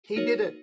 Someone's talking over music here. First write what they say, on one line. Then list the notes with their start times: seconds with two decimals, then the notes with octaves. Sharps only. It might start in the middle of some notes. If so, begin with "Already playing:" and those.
He did it.
0.16 A#3 D#4 F#4 A#4 C#5